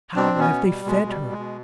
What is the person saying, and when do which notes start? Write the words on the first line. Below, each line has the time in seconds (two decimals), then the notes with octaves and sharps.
How have they fed her?
0.15 B2 C4 D4
0.33 B2
0.39 B3 C#4
0.51 B2
0.63 G3
0.69 B2
0.85 B2 G#3
1.04 B2
1.09 G3
1.22 B2
1.33 G#3
1.38 B2